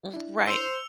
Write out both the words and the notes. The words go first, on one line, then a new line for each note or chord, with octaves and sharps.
M Right.
D4 E4
C5 E6 C#7 F7